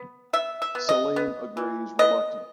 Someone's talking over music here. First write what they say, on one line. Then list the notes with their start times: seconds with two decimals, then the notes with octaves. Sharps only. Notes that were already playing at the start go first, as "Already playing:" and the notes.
Saleem agrees reluctantly.
Already playing: B3
0.33 B3 E5
0.62 E5
0.75 B3
0.89 D#5
1.16 B3
1.57 E3
1.99 B3 D#5